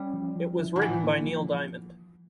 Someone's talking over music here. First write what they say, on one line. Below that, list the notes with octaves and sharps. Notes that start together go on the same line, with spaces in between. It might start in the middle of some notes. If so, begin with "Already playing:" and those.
It was written by Neil Diamond.
Already playing: G3 C#4
F3
F3
E4
D3
A2 E3
A#3
F3